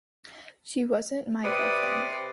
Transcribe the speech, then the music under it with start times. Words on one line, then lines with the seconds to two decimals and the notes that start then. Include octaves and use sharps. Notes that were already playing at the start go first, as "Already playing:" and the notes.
She wasn't my girlfriend.
1.44 C3 B4 D5 D#6